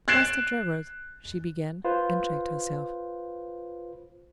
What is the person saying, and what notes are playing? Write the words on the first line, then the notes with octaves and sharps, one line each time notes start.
"Master Gerard," she began--and checked herself.
F#6 G#6 A6 C7 D7 E7
F4 B4 C5